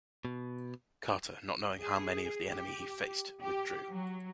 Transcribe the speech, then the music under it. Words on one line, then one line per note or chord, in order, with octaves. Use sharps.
Carter, not knowing how many of the enemy he faced, withdrew.
B2
G#4
G4
G4
F#3